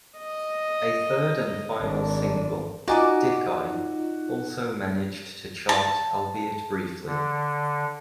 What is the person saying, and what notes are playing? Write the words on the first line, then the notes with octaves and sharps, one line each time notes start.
A third and final single, "Dickeye," also managed to chart albeit briefly.
D#5
G#1 D4
D#4 F4 F#4 D5 G#5 D6
A5
D3